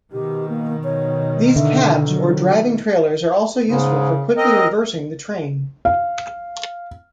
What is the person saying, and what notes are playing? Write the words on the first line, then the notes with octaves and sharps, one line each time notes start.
These cabs or driving trailers are also useful for quickly reversing the train.
B2 D#3 G4
A#3
C#5
D3 E5
F#3
G#2 C#3
C4 A#4 D#5
F5